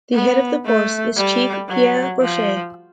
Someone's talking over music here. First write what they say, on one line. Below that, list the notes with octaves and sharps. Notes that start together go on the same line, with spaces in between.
The head of the force is Chief Pierre Brochet.
B3
A3
G3
F#3
F3